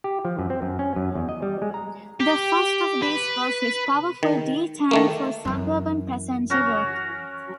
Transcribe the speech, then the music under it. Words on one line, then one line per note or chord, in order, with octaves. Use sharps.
The first of these was his powerful D-tank for suburban passenger work.
G4
F3
F#2
C4
F#2
C#4
F#2
E2
D#5
G3
G#3
A#5
G4
B4
D#3
D#3 A3 A#3
F#2 E3
C#4 F#4 A#4